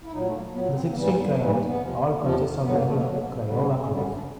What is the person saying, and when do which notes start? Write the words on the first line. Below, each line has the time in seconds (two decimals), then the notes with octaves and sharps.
The sixteen crayons all consisted of regular Crayola colors.
0.04 E4
0.12 A#2 F#3 D#4
0.25 A3
0.33 A#3
0.54 F#3 B3
0.57 A#2
0.74 C4
0.89 A#3
0.95 G#2 E3 G3 B3
1.06 A#3
1.16 B3
1.27 A#3
1.37 G#2 E3 G3 A3
1.51 A#3
1.65 B3
1.79 E2 C3 F3
2.20 E2 C3 F3 A#3
2.62 G2 D3 F#3 B3
2.73 A#3
2.84 A3
2.94 A#3
3.03 G2 D3 F#3
3.46 F#2 D3 G3 A#3
3.59 B3
3.78 C#4
3.87 F#2 D3 G3 C4
4.00 C#4
4.15 D4